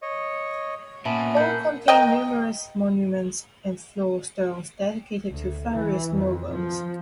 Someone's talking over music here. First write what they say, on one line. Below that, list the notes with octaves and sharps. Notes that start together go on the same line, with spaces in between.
All contain numerous monuments and floor stones dedicated to various nobles.
C#5 D#5
A#2 B3 C#4 E5 A5 B5
A#4 F#5 B5 G6
A#4 D#5 G5
D2
E3
F2
F3